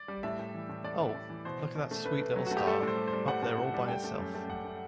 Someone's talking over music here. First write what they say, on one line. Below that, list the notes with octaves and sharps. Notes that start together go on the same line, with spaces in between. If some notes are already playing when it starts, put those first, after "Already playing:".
Oh, look at that sweet little star up there all by itself.
Already playing: D5
G3
A2 E5
A2
E3
A2
A2 D5
A2
A2
E3
B2 C5
B2
B2
A3
A3 B4
A3
F#3
A3 F#4
G4
G3 A4
A2
C5
G3
C5
G3
G3 F#5
A2
A2
G3
A3 G5
A3
F#2
A3
F#2 F#5
A3